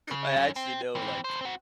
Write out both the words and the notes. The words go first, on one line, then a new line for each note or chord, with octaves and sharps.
I actually know, like,
C#3
F#3 C#4
C4
E3 C4
E2 C5
C4 F#4